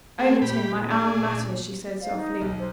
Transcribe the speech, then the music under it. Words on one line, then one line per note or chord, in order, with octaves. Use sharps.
"Overton, my Alma Mater," she said softly.
A3 C4 G#4
A#2 G4 B5
D4 G#4
C5 D5 F5
D#4
B1
C5